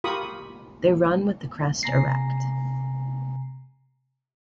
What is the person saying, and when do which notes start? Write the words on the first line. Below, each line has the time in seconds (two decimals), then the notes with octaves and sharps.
They run with the crest erect.
0.04 F4 G4 A#4 B5 C#6 D#6
1.83 C3 G#5 A#5 A#6 C7